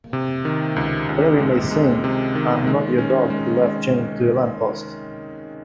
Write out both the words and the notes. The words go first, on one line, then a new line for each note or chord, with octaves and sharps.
Whatever you may think I'm not your dog to be left chained to a lamppost.
C3
D#3
C#2
C#2
G#3
G#3
C3
D#3
G#3
C#4
G#3
G#3